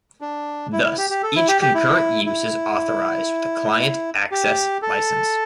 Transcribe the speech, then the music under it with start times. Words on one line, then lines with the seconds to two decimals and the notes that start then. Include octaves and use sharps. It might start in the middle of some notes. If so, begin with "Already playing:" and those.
Thus each concurrent use is authorized with a client access license.
0.21 D4
0.72 E4
0.85 E4
0.98 G4
1.10 G4
1.23 A4
1.36 E4
1.48 G4
1.62 G4
1.74 E4
2.26 E4
4.31 G4
4.82 A4